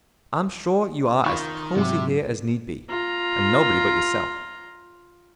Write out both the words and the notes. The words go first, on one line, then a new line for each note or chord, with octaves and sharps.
I'm sure you are as cosy here as need be, and nobody but yourself.
D#3 F4 B5 C#6
G#2 C3 F#3
F4 A#5